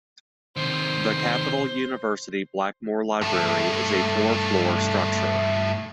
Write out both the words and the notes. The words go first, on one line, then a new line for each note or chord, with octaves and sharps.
The Capital University Blackmore Library is a four-floor structure.
C3 D#3 C5
G2 A3